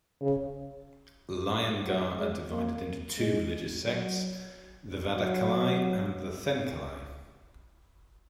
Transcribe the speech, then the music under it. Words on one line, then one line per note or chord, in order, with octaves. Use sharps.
Iyengar are divided into two religious sects, the Vadakalai and the Thenkalai.
C#3
F#3
G#3
A#3
G#3
F#3
F#3